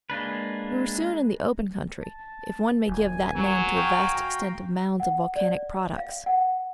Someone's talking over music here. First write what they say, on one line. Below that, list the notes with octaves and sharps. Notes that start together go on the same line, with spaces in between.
We were soon in the open country, if one may give that name to a vast extent of mounds of volcanic products.
G#3 A#3 D4 B4
A5
D#1 G#5
F#3
F#4 F5 G5
A#5
F#5
D5
F5
F#5